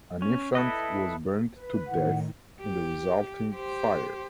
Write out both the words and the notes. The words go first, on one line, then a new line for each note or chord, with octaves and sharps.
An infant was burnt to death in the resulting fire.
C#4
E4 A4 B4 D#5
B4
A2 D#3 F#5
G4
G4 C5